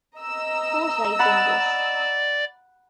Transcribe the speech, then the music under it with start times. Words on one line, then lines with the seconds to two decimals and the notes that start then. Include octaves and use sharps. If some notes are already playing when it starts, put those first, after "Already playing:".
Who's right in this?
0.17 D#5 A#5 E6
1.19 D5 F#5 B5